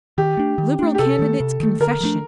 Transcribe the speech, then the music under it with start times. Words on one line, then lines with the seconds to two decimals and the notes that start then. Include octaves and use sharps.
Liberal Candidate's Confession.
0.18 D#3 G4
0.37 A3 D4
0.58 D#3
0.79 A3 D4
0.95 G4
0.99 C3 A4
1.19 D#3 A3
1.40 C3
1.60 D#3 A3
1.80 D3 A#4
2.00 F3 A3 D4